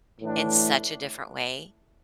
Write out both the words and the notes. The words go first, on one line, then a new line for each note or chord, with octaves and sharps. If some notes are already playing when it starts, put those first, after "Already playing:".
in such a different way.
A2 E3 A3 D4